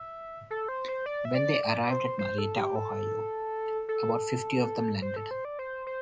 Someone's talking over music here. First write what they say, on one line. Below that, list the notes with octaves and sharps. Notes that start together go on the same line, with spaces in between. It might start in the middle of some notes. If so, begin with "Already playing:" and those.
When they arrived at Marietta, Ohio, about fifty of them landed.
Already playing: E5
A4
C5
C5
D5
E5
D5
D5
C5
C5
A4
G4
A4
A4
C5
A4
C5
D5
C5
C5